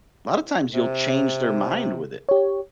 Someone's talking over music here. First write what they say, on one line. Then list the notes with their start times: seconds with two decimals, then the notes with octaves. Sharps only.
lotta times you'll change their mind with it.
0.73 C3
2.29 G4 C#5